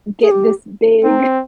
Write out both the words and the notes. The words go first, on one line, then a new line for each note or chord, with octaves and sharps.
get this big,
G#4
G4
C4 D#4